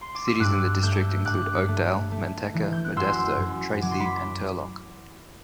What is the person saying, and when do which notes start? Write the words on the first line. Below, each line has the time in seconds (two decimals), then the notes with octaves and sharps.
Cities in the district include Oakdale, Manteca, Modesto, Tracy, and Turlock.
0.01 C6
0.15 D6
0.27 E6
0.40 G2 D6 F#6
0.82 A3 E6 G6
1.25 G2 D6 F#6
1.68 A3
2.12 A3
2.54 E3
2.72 G6
2.85 F#6
2.96 F#2 C6 E6
3.39 F#2
3.82 F#3 D6
3.91 C6
3.99 B5 D6